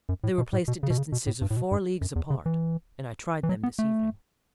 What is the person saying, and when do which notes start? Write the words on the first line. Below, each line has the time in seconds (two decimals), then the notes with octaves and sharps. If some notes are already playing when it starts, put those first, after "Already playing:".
They were placed at distances of four leagues apart, and I tried them this evening.
0.09 F#2
0.24 A2
0.38 B2
0.53 A2
0.68 B2
0.83 C#3
0.90 B2
0.97 C#3
1.12 B2
1.27 A2
1.42 G2
1.51 A2
1.57 B2
1.71 G2
2.01 F#2
2.16 E2
2.30 C#3
2.46 E3
3.43 E3
3.49 F#3
3.63 B3
3.79 A3